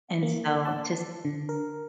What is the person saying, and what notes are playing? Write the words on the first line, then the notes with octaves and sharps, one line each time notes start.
And so to
A#3
A5
D3
A#4